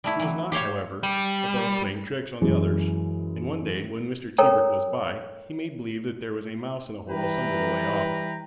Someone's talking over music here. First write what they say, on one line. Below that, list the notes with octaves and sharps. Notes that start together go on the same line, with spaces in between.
He was not, however, above playing tricks on the others, and one day when Mr. Tebrick was by, he made believe that there was a mouse in a hole some little way off.
G3 A3 E4
E3 F#3
G4 C5 C#5 F5
G3
F#2 E3 G#3
A4 A#4 C#5 G5 A#5
E3 G3 B4 G5 A#5